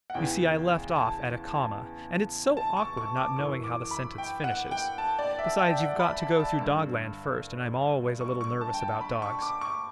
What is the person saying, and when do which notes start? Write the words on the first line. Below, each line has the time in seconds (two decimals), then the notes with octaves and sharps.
You see I left off at a comma, and it's so awkward not knowing how the sentence finishes! Besides, you've got to go through Dogland first, and I'm always a little nervous about dogs.
0.10 F#5
0.14 E2 C#3 E3 G5
0.96 A5
2.57 A5
2.77 C#6
2.97 C#6
3.17 D6
3.36 F#2 E3 C#6
3.64 D6
3.91 B5
4.18 G5
4.44 F#5
4.71 G5
4.98 A5
5.19 D5
5.39 E5
5.59 G5
5.79 F#5
5.99 B5
6.19 A5
6.40 A5
6.60 G2 D3
8.21 C#6
8.41 C#6
8.61 A5
8.74 G5
8.81 A5
9.01 B5
9.22 C#6
9.42 D6
9.61 C#6